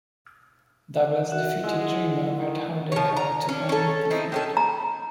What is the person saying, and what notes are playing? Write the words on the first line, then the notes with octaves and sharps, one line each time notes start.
Douglas defeated Dreamer at Holiday Hell to end the feud.
F#4 E5 F#5
G#3 E4 F#5
D#3
F3 C#5
A#5
C#4 D4
C#4 A4
C4 D#4 E4
D#3 C#4 A4
A#5